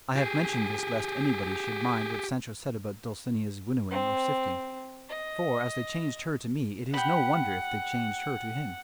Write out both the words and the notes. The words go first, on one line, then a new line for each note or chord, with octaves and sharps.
I have mentioned this lest anybody should mind what Sancho said about Dulcinea's winnowing or sifting; for, as they changed her to me, it is no wonder if they changed her to him.
G4 G#4
C4
D#5
G4 F#5 B5